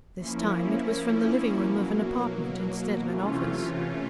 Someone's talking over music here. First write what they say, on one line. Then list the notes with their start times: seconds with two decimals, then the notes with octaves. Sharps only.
This time, it was from the living room of an apartment instead of an office.
0.17 F3 A#3 C#4 E4
1.61 B2 F#3 A#3
3.05 C3 E3 A3 C#4 F4